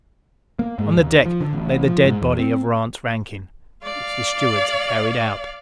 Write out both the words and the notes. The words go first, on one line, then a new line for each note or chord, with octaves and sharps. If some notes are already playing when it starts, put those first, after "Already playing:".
On the deck lay the dead body of Rance Rankin, which the stewards had carried out.
A#3
G#2
D#2
F3
D3
A1
F3
G#2
E2
C4
D5 F5